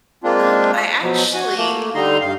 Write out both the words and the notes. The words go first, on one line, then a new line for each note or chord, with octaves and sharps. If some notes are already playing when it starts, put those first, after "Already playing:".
Um, I actually
G#3 A#3 C4 D4 F4
B2 F3 F#3
F#4 G#5
A3 A#3
D3 G3 D#4 A#5 C6
G2 F5